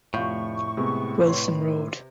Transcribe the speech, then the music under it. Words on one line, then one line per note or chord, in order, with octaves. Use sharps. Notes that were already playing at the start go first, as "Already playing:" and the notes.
Wilson Road.
F1 A2 F4 C#6 G6
C3 G#3 B3
B4 C#5 C6